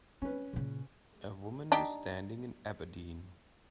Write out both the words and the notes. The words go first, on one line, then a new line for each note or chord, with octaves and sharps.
A woman is standing in Aberdeen.
G3 C#4 B4
A#2 C#3
D4 D#4 G4